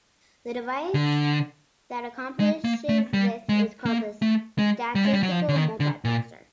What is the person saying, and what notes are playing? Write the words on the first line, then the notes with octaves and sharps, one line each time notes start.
The device that accomplishes this is called a statistical multiplexer.
D3
G#3
A#3
A3
G3
G#3
A#3
A3
G#3
G3
G#3
G3
F#3
F3
D3
D#3
D3
A#2